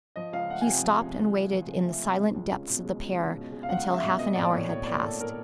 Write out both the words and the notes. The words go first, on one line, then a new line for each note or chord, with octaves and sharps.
He stopped and waited in the silent depths of the pear until half an hour had passed.
F3 D#5
C#2 F5
A3 F#5
G#5
C3 G5
F3
C#2
A3
C3
F3
C#2
A3
C3
G#3
C#2
C#4
B2
G#3
C#2
C#4
B2
G#3
F5
C#2 F#5
C#4
E5
B2
A#3 D#5
A2 D5
A2 C#5
F#3 C#5
A#3 D5
A2 A4
A2 A#4